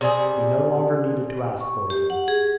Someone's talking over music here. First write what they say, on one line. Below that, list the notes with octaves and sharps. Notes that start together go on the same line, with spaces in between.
He no longer needed to ask for them.
C3 G3 G#4
C#6
G4
F#5
G#4